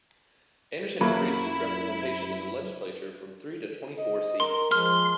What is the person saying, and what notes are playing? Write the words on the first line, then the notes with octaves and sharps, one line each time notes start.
Anderson increased its representation in the legislature from three to twenty four seats.
F#2 F#3 A#3 E4 B5
D#5
A#4 C6
F3 G#3 C6 F6